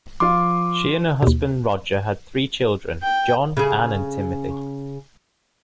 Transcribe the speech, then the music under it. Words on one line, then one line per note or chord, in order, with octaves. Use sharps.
She and her husband, Roger, had three children: John, Anne and Timothy.
F3 F4 C6 D6
D#2 B2
G5
C#3 G#4